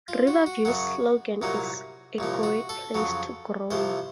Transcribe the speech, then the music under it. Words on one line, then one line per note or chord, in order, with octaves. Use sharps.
Riverview's slogan is "A Great Place To Grow".
F4
F#4
F#4
F#2 C#3 F#3 F#4
C2 A#2 F#3 A#3
C2 A#2 F3
F#4
A4
F2 C#3 F#3
C2 C3 F3 C5